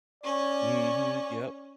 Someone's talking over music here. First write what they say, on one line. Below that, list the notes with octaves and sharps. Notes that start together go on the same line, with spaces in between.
Mhm, yep.
C#4 C#5 D5